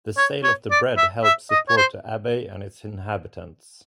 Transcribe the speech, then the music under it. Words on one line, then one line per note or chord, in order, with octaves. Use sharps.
The sale of the bread helps support the abbey and its inhabitants.
C#5
C#5
D5
E5
E5
D#5
C#5
C5